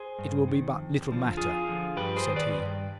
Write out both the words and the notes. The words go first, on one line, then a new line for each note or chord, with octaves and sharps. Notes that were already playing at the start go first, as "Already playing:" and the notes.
'It will be but little matter,' said he.
Already playing: G#4 C5
G2
D#3
F2
D3 F3
F2 F4 G#4
D3 F3
G2 G4 B4
G#4 C5
D#3
B4 D5
G2